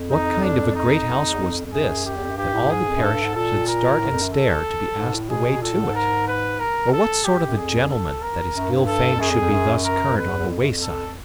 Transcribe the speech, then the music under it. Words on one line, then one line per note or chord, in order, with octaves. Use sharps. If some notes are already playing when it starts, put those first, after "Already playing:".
What kind of a great house was this, that all the parish should start and stare to be asked the way to it? or what sort of a gentleman, that his ill-fame should be thus current on the wayside?
Already playing: F2
D#4
D4
D#4
F2
E2
F2
F2
F#2 G#4
G4
E2
F2
F#2
G2 G4
A2
A2
G#2 G#4
F2
F#2
G2 A4
G2
G#2
A#2 A4
A#4
A2
F2
F#2
A4
G#2
A2
B2 G#4
A#2 A4
A2
G#2
A#4
B4
A#4
A4
G4
F#2
F2 G#4
A4
A#4
F#2
G2
A4
F2
F#2 G#4
F2
F2
F#2
A#4
F2 B4
E2
E2
F2
F#2
F2
A4